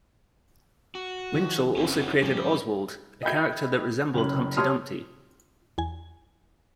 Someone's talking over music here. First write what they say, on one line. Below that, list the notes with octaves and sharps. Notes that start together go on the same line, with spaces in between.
Winchell also created Ozwald, a character that resembled Humpty Dumpty.
F#4
D#3 F3
F#1 F#2 C4 C#4 E4 F#4
G2 F3 G3 C#4
D#5 E5 G5 B5 G6 G#6
F#1 C#4 F#7
G4 C#5 A5 C6 D#6 F6
E2 G#5